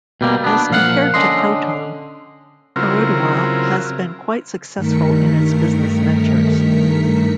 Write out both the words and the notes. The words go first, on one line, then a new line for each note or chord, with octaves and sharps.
As compared to Proton, Perodua has been quite successful in its business ventures.
B2 G3 A#3
B3 D4
A#2 F3 F5 F#5
D3 C#4 D#5 C6
C#3 F#3 C4 E4 F4 A#4
G2 D#3 A3 A#4 B6 C#7